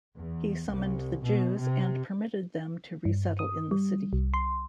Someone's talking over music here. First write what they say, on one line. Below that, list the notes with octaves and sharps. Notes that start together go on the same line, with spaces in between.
He summoned the Jews and permitted them to resettle in the city.
E2
C2
B2
C3
G2
D#6
G3
C2
C6